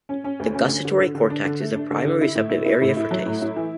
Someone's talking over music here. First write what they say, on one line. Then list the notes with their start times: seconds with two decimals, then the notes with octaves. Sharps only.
The gustatory cortex is the primary receptive area for taste.
0.09 C#4
0.24 C#4
0.40 D2
0.55 C#4
0.69 D3
0.85 D3
1.00 D3
1.15 D3
1.30 D4
1.45 D3
1.60 A3
1.76 D4
1.91 D3
2.05 D3
2.21 E4
2.35 A2
2.50 E4
2.66 E4
2.81 A2
2.96 E4
3.11 F#3
3.26 A2
3.42 E4
3.56 E3